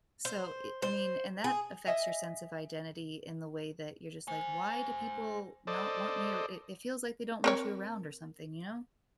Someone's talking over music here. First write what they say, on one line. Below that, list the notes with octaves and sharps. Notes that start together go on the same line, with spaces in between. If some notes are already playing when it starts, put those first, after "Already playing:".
So i I mean and that affects your sense of identity in the way that you're just like, "Why do people not want me?" or it it feels like they don't want you around or something, you know?
C5
C5
G#4
D#5 E5 G#5
C5 G#5
A4 C5 D5 D#5
C4 A#4 C#5